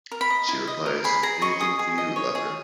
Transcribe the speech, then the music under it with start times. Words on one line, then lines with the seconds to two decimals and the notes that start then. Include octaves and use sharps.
She replies "Anything for you, lover".
0.12 A#4
0.21 B5
0.30 D#5
0.48 E4
0.67 D#5
0.86 A#4
1.04 G#4 B5
1.23 G#4 A#5
1.41 D#5 C#6
1.60 G#4 D#6
1.79 G#4
1.98 D#5
2.16 C#5
2.35 G#4